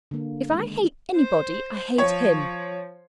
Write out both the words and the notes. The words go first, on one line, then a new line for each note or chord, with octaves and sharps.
If I hate anybody, I hate him.
D3 A#3
D#3 G#3
C5
F3 C#5